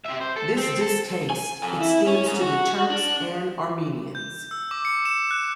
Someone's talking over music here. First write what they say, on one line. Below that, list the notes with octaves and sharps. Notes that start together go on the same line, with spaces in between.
This distaste extends to the Turks and Armenians.
G4 E5
C5
A4
C4
A4
G#5
F2
E4
C#4
G#2
F#4
D4
G6
E6
D6
C#7
E7
F#6